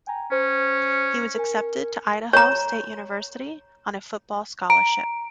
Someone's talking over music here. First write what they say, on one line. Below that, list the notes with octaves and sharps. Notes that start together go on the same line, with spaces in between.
He was accepted to Idaho State University on a football scholarship.
G5 G#5 A#5
C#4 C5
A#4 G#5
C#5 A#5
A#5 D7